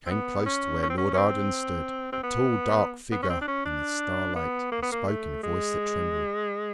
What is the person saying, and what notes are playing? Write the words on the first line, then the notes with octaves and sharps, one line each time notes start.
He came close to where Lord Arden stood--a tall, dark figure in the starlight--and spoke in a voice that trembled.
C4
B3
C#4
C#4
C4
C#4
C#4
C4
C4
B3
B3
C#4
C4
D4
C#4
D4
B3
A#3
B3
A#3
A3
G#3